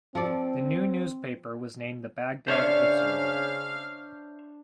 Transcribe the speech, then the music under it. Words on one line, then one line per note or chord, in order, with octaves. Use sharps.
The new newspaper was named the "Baghdad Observer".
F3 C4 A4 D5
C#3 D4 C5 C#5 E5 F5